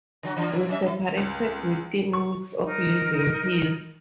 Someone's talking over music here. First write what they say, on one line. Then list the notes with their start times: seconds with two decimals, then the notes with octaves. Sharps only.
We separated within weeks of leaving Hills.
0.23 D3 F#3 F#4
0.37 E3 D4 F4
0.49 F3 A#3
0.69 F#3 C#4 E5
0.82 D4 E4
1.17 C#2
2.13 C#6
2.64 D#4 A#4